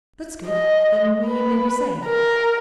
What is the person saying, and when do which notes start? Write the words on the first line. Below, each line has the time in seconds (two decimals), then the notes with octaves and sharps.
"That's good; then we may be saved."
0.47 D#5
1.26 B4
2.06 A#4